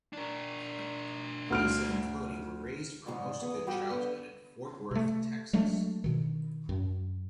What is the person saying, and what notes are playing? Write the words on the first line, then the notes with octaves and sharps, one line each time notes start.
Lisa and Cody were raised for most of their childhood in Fort Worth, Texas.
D4 A#4
D2 F6 D7
G#2 C#3 F#4 A4 D5 D#5
E2 B3 G#4
G3 F#4 G4 A4 D5
D3 B3
C3 A3
F#3 G#3 A3 D4
B2 D#3
F#2